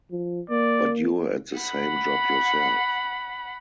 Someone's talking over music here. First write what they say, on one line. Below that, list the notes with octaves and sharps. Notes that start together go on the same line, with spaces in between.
But you're at the same job yourself.
F3
A#3 D5
F#5 B5